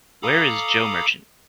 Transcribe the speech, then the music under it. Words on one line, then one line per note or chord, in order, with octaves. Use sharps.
Where Is Joe Merchant?
A4 F5 A#5 B5 D6 D#6